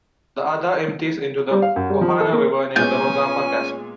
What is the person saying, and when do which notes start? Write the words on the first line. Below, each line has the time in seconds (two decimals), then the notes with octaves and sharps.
The other empties into the Bojana River near the Rozafa Castle.
1.51 G3
1.62 F5
1.76 F#2
1.90 G3
2.01 F3
2.20 A4
2.32 A#3
2.76 A#2 G#3 B3 C#4 G#5 G6